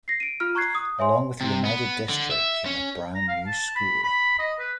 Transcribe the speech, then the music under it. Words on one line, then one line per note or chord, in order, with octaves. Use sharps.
Along with a united district came a brand new school.
A#6 C7
D7 D#7
F4 F6
A#5 C#6 F#6 G#6 C7
D#6
C#5 E5 G#5 C6
C3
B3
D3
E5
C#4
A#5
F5
A5
B5
B5
D#5
B4